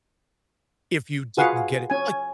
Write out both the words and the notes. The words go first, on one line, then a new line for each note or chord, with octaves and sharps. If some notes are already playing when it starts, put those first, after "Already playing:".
if you didn't get it, like,
F4 F#4 G#4 B4 F5 F#5
C#4 G#5